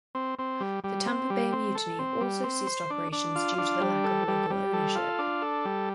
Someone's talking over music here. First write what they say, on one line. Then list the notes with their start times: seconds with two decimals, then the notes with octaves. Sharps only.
The Tampa Bay Mutiny also ceased operations due to the lack of local ownership.
0.15 C4
0.39 C4
0.60 G3
0.84 G3
1.07 C4
1.30 G3
1.53 C4
1.75 A4
1.99 C4
2.21 G3
2.44 C4
2.67 C5
2.90 D4
3.12 D4
3.35 F4
3.58 D4
3.81 G3
4.04 A4
4.28 G3
4.50 G3
4.73 A4
4.95 F4
5.19 D4
5.42 A4
5.65 G3